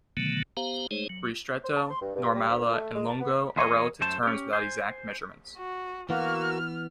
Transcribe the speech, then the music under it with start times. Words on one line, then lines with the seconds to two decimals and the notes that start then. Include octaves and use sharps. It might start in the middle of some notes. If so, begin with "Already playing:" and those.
Ristretto, normale, and lungo are relative terms without exact measurements.
0.17 B2 D3 D#3 F#3 A3 B3
0.57 B3 G4 C5 F5 A#5
0.91 G#3 A3 D#4 G#4 C5 C#5
1.09 F#3
1.64 C5
1.77 A5
1.90 C6
2.01 G2
2.16 G2
2.35 G3
2.49 D2
2.62 A#2
2.74 A3
2.95 G#3
3.08 A5
3.20 B3
3.56 E2 G#4 C#5 D#5
4.01 F#2 A3 C5 A5
4.23 C#4 G4
4.53 C5 G#5
5.57 F#4
6.10 E3 A#3 B3 F#4 F6